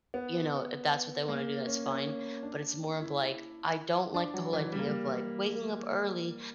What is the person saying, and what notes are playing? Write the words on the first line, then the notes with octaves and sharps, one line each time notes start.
you know, if that's what they wanna do, that's fine, but it's more of, like, I don't like the whole idea of, like, waking up early,
B3
A#3
C#4
C#4
D4
E4
D4
F#3
E3
G3
A#3
G3